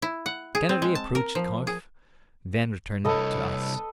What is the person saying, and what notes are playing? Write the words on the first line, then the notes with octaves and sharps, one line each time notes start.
Kennedy approached Kauf, then returned to us.
E4
F#5
G#4
C4
G#3
A5
A#4
F3
G#4
C2 A4 B4 C#5 D#5